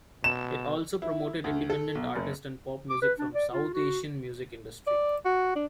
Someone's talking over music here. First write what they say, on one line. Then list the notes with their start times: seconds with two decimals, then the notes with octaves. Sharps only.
It also promoted independent artist and pop music from south-Asian music Industry.
0.24 B2 E7
1.02 E4
1.44 D2
1.70 A4
1.95 B1
2.16 F#1
2.90 D6
3.02 B4
3.19 D4
3.34 D5
3.52 F4
3.74 F#4
4.87 D5
5.25 F#4
5.56 D4